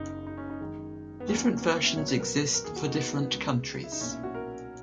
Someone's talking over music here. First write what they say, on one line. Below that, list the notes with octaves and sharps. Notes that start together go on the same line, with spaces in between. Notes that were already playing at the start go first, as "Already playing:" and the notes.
Different versions exist for different countries.
Already playing: F#1 F#2 C#3 D#4
D#4
C#4
D#4
F#2 D#3 G#3
B3
D#2 D#3 F#3 A#3 C#4
A#3
B3
C#4
E4
B1 A#2 F#3 C#5
B4
A#4
A#4
D#2 D#3 A#3 G#4
F#4
D#4
B3
B3
C#2 C#3 G#3
E4
D#4
B1 A#2 A#3 C#4
E4
F#4
A#4